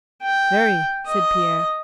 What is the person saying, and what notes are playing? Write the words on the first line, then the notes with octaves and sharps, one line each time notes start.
"Very," said Pierre.
G5
D#5